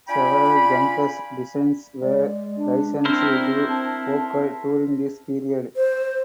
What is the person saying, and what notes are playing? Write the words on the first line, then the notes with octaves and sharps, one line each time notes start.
Several Junkers designs were licensed to Fokker during this period.
D4 F4 G5 G#5 B5
G#3 D5
D4
C4 E4 A#4 C5
C4 A5
C5